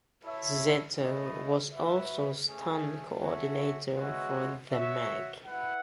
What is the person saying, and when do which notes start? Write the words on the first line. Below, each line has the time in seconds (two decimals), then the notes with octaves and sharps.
Szeto was also stunt coordinator for The Meg.
0.23 E4 A4 C#5 E5
0.98 A3 E4 B4 D#5
1.72 F#4 B4 E5
2.47 A3 C#4 G#4
3.21 C#4 F#4 A4 E5
3.95 G#3 B3 F#4 C#5 E5
4.71 F#4 C#5 E5
5.45 E4 B4 F#5